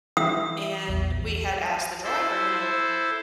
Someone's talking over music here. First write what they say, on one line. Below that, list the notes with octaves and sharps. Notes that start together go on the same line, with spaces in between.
and we had asked the driver, you know,
E3 E5 D#6
A#1 E2
E4 A4 C5